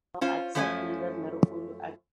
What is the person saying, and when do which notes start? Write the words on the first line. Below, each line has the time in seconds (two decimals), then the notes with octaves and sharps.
They find him guilty of treason and sentence him to death.
0.21 C#4 F4 C5
0.55 F#2 F3 A3 C#4 D4 G#5